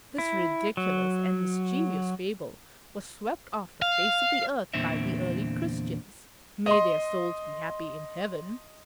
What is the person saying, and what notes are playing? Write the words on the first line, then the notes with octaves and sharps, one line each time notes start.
This ridiculous and mischievous fable was swept off the face of the earth by the early Christians--may their souls be happy in Heaven!
E4
F#3
F5
E2 A#2 D3 C4 E5
D#5 C6